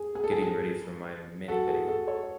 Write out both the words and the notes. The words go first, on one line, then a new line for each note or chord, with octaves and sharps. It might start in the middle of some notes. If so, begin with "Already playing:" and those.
Getting ready for my mani-pedi!
Already playing: G#4
G#4
A4
G#4
G#4
F#4 A4
G#4
F#4 A4
A4 C#5